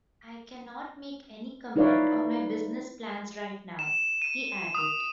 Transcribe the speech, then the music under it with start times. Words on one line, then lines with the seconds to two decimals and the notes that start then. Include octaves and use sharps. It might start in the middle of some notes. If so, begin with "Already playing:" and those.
I cannot make any comment on my business plans right now. he added.
1.76 D#4 E4 B4 C#5 D5 F5
3.79 E7
4.22 D#7
4.75 D#6